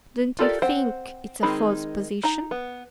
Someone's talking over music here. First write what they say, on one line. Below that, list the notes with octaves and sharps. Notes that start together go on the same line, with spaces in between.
"Don't you think it's a false position?"
F4 G4 A4 A#4 D5
C4 C5 F#5 G5
D#3 G#3 C4 D#4 B5
D#4 A#5
B3